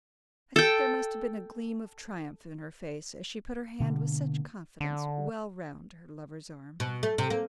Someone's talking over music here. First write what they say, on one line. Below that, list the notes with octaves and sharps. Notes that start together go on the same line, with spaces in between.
I think there must have been a gleam of triumph in her face as she put her hand with such confidence well round her lover's arm.
A4 G5
B2 D3 A#3
D3
B2
A3
C3
A#3